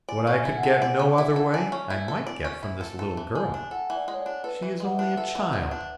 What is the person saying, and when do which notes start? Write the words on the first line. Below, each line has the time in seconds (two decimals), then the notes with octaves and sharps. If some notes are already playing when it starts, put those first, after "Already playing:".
What I could get no other way I might get from this little girl. She is only a child.
0.09 D5 G#5
0.27 C#4
0.33 G#5
0.45 E4
0.57 F#5
0.63 A4
0.82 D5
0.99 C#4
1.18 E4
1.36 A4
1.49 A5
1.54 D5 G#5
1.72 C#4
1.90 E4
2.08 A4
2.27 D5
2.45 C#4
2.63 E4
2.81 A4
2.99 A4 A5
3.17 E3
3.35 G#3 G#5
3.54 D4
3.71 A4 F#5
3.90 E3
3.96 D5
4.08 G#3
4.14 C#5
4.21 D5
4.26 D4
4.44 A4 B4
4.63 E3
4.80 G#3 F#5
4.92 E5
4.99 D4
5.17 A4 E5
5.35 E3
5.53 G#3
5.71 D4